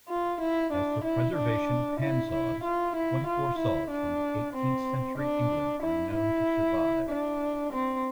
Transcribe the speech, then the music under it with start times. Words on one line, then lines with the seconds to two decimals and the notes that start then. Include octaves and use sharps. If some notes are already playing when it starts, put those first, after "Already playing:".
As for preservation of handsaws, twenty-four saws from eighteenth-century England are known to survive.
0.09 F4
0.41 E4
0.73 D4
1.04 E4
1.36 D4
2.00 E4
2.31 E4
2.63 F4
2.96 E4
3.27 F4
3.59 E4
3.90 D4
4.54 C4
5.18 D4
5.82 E4
6.13 E4
7.09 D4
7.73 C4